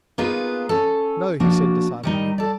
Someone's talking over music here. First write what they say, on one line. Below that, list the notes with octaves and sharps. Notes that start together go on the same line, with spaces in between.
'No,' he said decidedly.
A#3 B3 D#4 F4 G#4 B4
C#4 A4
F3 A#3 D4 F#4
D#3 G3 D#4
A4 D5